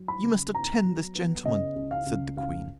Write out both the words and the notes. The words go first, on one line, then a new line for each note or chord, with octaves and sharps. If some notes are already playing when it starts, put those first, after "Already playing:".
"You must attend this gentleman," said the Queen.
Already playing: F#3
B5
C#3
B3 A#5
F#3
B3
C#3 D#5
C#2
F5
C#2
C#2 F5